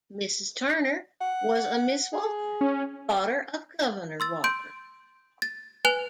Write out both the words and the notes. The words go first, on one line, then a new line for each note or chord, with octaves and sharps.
Mrs Turner was a Miss Walker, daughter of Governor Walker.
F#5
G#4
C#4
C6 E6 A6
C6 G6 D7
A6
B4 G#5 F#6 F7